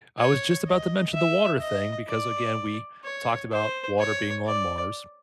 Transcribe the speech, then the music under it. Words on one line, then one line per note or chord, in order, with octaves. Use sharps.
I was just about to mention the water thing because, again, we talked about water being on Mars.
C#5
D#5
E5
D#5
D5
C#5
C5
C#5
D5